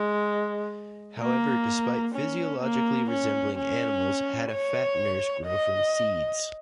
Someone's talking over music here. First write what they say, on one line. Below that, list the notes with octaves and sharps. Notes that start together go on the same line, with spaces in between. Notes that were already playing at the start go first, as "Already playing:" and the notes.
However, despite physiologically resembling animals, Hattifatteners grow from seeds.
Already playing: G#3
A#3
C#4
A#3
C#4
C#4
C#5
D#5